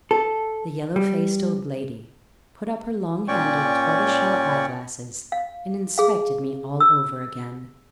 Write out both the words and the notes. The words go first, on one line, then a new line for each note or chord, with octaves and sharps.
The yellow-faced old lady put up her long-handled tortoise-shell eyeglasses and inspected me all over again.
A4
G3
A#2 C#4 C#5 D5 G5 C#6
F5
G#4 F5
E6